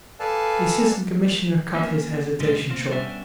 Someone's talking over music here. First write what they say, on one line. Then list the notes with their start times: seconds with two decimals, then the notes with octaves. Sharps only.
The Assistant Commissioner cut his hesitation short.
0.20 A4 B4 D5 F5 G#5 A5
1.75 A#3 C#4 D4 A#4
2.40 E2 A2 C#3 G3 G#3 D#4
2.70 A#3 C4 F4
2.90 G3 B3 C#4 D4 E5